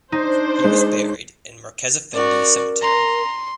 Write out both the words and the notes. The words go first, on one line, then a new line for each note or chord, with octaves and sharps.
He was buried in Merkezefendi Cemetery.
D4 D#4 C5
G#3
C#4 F#4 A#4 D5
A#5 C6